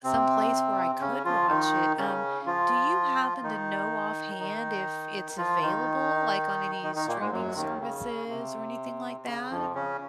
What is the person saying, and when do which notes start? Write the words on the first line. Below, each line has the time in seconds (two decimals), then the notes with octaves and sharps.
some place where I could watch it. Um, do you happen to know offhand if it's available, like, on any streaming services or anything like that?
0.04 C3 C4
1.01 C#3 C#4
1.25 F3 F4
1.49 D#3 D#4
1.98 C#3 C#4
2.46 F3 F4
3.43 D#3 D#4
4.40 D#3 D#4
5.38 F3 F4
5.62 D#3 D#4
6.83 D#3 D#4
6.96 D#3 D#4
7.07 A#2 A#3
7.20 G#2 G#3
7.32 F#2 F#3
7.56 D#2 D#3
7.81 C#3
8.29 C3
9.26 C#3
9.50 F2 F3
9.75 C#3 C#4